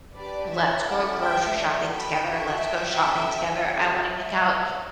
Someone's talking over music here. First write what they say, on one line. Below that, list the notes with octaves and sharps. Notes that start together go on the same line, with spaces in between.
"Let's go grocery shopping together, let's go shopping together, I wanna pick out,
D4 G4 B4 D5
C#5 E5
C#4 E4 A4 D5 F#5
E5 G5
D4 F#4 A4
G5 B5
D4 F#4 A4 E5 G5
C#4 F#4 A4
A3 C#4 E4 G4 D5 F#5
C#5 E5
D4 G4 C#5